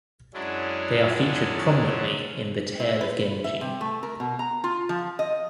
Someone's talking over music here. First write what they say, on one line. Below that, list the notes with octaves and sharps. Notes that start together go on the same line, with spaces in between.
They are featured prominently in "The Tale of Genji".
F#2 F#3 G#3 C#4 D4 E4
E4
B4
E5
C3
A3
A#4
B2
A#5
F4
F3
D#5